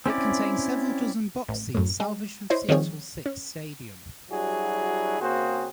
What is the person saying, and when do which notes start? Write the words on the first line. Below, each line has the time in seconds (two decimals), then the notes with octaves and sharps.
It contains several dozen box seats salvaged from Seattle's Sick's Stadium.
0.06 C4 C#4 E4 D5
1.49 A1
1.75 F#2 A2
2.00 G#3
2.50 E4 C5 C#5 D#5
2.69 D#3 F3 G3 C4 G#4 C#5
3.26 C#4
4.30 F#3 G3 D4 E4 F#4 G#4
5.20 C#3 A#3 C4 F#4 G#4 C5